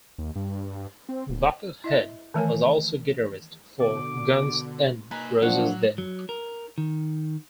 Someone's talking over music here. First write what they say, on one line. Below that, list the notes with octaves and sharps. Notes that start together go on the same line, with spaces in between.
Buckethead was also guitarist for Guns N' Roses then.
D#2
G2
C4
D1
E4 D#5 E5
D#3 E3 A3 A#4 C#5 G#5
B2 D3 D6
A#3 D#4 B4 G#5
F3 F#3 D4 F#5
F#3
A#4
D#3